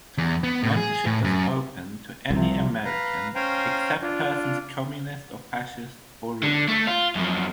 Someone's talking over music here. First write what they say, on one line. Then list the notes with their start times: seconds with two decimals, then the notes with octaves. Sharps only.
Membership was open to any American "except persons Communist or Fascist oriented".
0.18 E2
0.43 B3
0.63 A2
0.77 G#4
1.06 A2
1.24 F#2
2.31 C2 C3 F3
2.85 B4 F5 A#5
3.35 C#4 C5 F5 G5 G#5 A#5
4.02 D4 F4
6.43 D3
6.68 A3
6.87 F4
7.15 F#2 F3